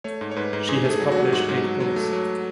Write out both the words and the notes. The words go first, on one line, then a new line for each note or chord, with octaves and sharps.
She has published eight books.
A3 C#5
G#2
C#5
G#2 B4
G#2
G#2 G#4
A3
G#4
F#3
F#4
F#3
G#2 F#4
G#2
F#3
F#3
A3
F#3